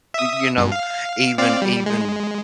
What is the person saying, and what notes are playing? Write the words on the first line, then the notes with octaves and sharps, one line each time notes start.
y you know, even even
E5 D#6
G2
F5
C4 D5 F5
G3
G#3